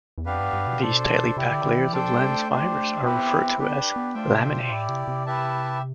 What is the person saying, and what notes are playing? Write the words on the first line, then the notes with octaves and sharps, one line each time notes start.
These tightly packed layers of lens fibers are referred to as laminae.
E2
F2 B3 D4 G4 B4 F5
G2
G2
B2
D4 A4 C5
C3 E4 G4 D5
D3
D3
E3
F3 D4 A4 C5 G5
G3
A3
D4 G4 C5
B3 C4 E4 G4 B4
B3 D4 G4 B4
B3
A3 D4 F4 C5 E5 G5
B2
C3
B2
A2 E4 G4 D5
C3
C3
E4 G4 B4 E5 A5